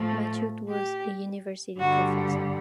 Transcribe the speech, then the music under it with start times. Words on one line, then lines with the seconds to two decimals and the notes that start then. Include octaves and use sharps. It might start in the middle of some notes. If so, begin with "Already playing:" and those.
Matute was a university professor.
Already playing: A2 F3 A3
0.68 G4
1.79 G2 D3 G3 F#4